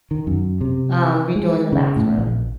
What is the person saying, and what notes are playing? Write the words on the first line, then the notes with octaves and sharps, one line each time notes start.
um, redoing the bathroom
D#3
F#2
C3
G#3
C#3
A2
A#1